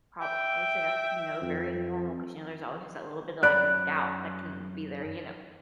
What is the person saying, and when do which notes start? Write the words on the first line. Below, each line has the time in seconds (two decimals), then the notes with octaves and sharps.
prob I would say that's, you know, very normal 'cause, you know, there's always just that little bit of, like, doubt that can be there, you know?
0.21 E5 G5
1.42 F2
3.43 F#2 D5 B5 F#6